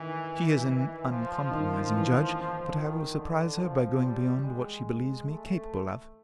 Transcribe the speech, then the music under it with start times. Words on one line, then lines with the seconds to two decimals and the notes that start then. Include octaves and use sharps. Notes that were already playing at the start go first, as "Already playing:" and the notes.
She is an uncompromising judge, but I will surprise her by going beyond what she believes me capable of.
Already playing: D#3 E3
1.09 F3
1.51 D#3
1.93 E3
2.77 D#3
3.19 D3
3.61 F3
4.03 G3
4.44 G#3
5.28 A3